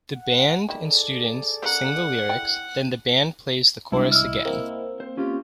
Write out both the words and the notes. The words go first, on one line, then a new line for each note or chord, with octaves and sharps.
The band and students sing the lyrics, then the band plays the chorus again.
F#5
D#3 E4 G#4 A4 D5
C#3 A#4 F#5
E4 G5
C2 G#3 D4 E4
D#5 E6 F6
A#3 C4
C5
C#4 F4 G4